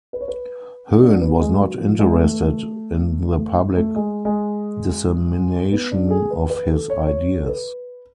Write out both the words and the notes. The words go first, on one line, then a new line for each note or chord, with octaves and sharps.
Hoehn was not interested in the public dissemination of his ideas.
B4
C#5
B4
D4
B3
G#3
F#3
F3
G#3
B3
A3
A3
A3
G#3
G#3
B3
D4
A4
G#4
B4
B4
A4
C#5
C#5
A4
B4